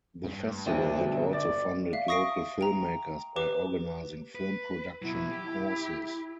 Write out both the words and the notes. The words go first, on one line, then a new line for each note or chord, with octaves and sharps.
The festival had also funded local filmmakers by organising film production courses.
G2
D2 D3 D4 C5 E5
B2 G3
D5 A6
E5 F5
C#6 D#6 A#6 C7 D7
G5 A#5
G4 B4 D6
B4
B2 F#3 E4
G4